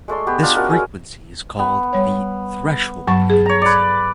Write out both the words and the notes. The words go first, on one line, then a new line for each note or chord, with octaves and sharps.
This frequency is called the "threshold frequency".
G#3 A3 D5 C6
B3 G4 G#4
D4 F4 D5 D#5
C#4 F#4 A#4 D#5
G#3 C#4 G#4 E6
B3
G3 C#5
G2 F#3 A5 C#6
G#4
C#5 A#5
B4 D5